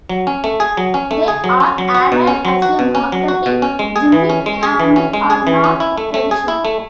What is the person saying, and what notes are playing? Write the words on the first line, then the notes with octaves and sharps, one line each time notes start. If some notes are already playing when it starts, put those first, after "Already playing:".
They are added as a marketing gimmick and are not traditional.
F#3
C#4
A3
G#4
F#3
C#4
A3
G#4
F#3
C#4
F#3
F#4
B2
C#4
F#3
F#4
B2
C#4
F#3
F#4
B2
C#4
G#3
G#4
E3
C#4
G#3
G#4
E3
C#4
G#3
G#4
E3
C#4
E4
A3
A3
G#4
E4
A3